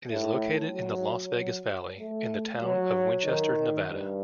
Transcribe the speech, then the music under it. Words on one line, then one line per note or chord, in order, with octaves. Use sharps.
It is located in the Las Vegas Valley in the town of Winchester, Nevada.
A2
F#3
F#3
A3
F#3
D#3
G2